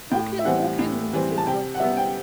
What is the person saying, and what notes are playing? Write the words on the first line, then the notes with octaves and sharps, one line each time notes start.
"Walk in, walk in," he said joyfully.
A2 G5
E5
E3 G3 C4 F#5
A2
E3 G3 C4
A5
C3 G5
F#5
G3 B3 E5
G5